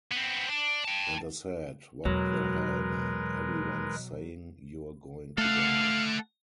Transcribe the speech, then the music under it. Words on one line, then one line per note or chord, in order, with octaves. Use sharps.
And I said, what the hell, man, everyone's saying you're going to die.
B3 C4
D4
G5 A5
E2 B2 F#3 G#3 A#4 B4
A3 A4 F5 F#5